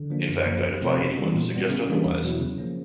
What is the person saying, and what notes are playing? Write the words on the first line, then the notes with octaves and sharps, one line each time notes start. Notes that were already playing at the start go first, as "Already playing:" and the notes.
In fact, I defy anyone to suggest otherwise.
Already playing: D3
F3 A#3 D4
F#2
C#3 F3 A#3
F2
C3 F3 A3 C4
C#3
E3 G3 B3
A#2
G3 B3
C#3
E3 G3 A#3 D4
E2
B2 F#3 B3 E4
C#3
F3 A#3 C#4